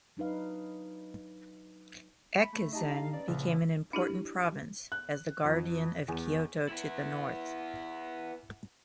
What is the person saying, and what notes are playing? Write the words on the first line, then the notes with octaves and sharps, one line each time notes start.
Echizen became an important province, as the guardian of Kyoto to the North.
F#3 D4 D#4 B4 F5
B5 B6
A3
D#4 G4 D#5 A5 A#5
F5
C#4 B4 D5
A#1 C#3
D4 E4 G4
F#6
F2
E2
B3 E4